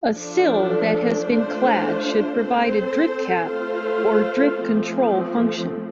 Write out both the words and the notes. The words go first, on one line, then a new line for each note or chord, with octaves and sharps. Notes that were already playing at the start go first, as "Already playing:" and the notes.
A sill that has been clad should provide a "drip cap" or "drip-control" function.
F3 D4 A4
A3 D4 F4 C5
C4 A4 C5
A3 F4 A4 C5
F3 A3 C4